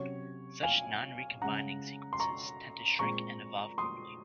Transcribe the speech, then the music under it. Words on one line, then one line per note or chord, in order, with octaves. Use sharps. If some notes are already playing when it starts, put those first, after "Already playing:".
Such non-recombining sequences tend to shrink and evolve quickly.
Already playing: C3 F#3 C#4 C#5
F5 G#5
C#3 G#3 C#4 F#5 A#5
C6
A#5 C#6
A#2 G#3 C4 A#5 C#6
C6 D#6